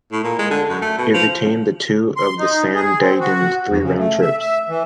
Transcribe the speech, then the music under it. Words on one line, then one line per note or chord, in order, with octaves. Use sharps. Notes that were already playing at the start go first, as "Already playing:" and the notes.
It retained two of the "San Diegan's" three round-trips.
A2
A#2
G#3
D3
F#2
A3
B2
F3
C6
D#4
G#4
C4
F#4
F2
C#3
A3
E5
E5
E3